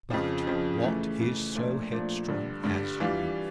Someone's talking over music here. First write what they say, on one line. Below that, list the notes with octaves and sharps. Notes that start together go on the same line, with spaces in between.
But what is so headstrong as youth?
F2 C#3 F3
F2 C#3 F3
C#3 E3 A3
C#3 E3 A3
A#2 F3 A3 D4
A#2 F3 A3 D4
G2 D3 G3
G2 D3 G3
E3 G3 D4 F4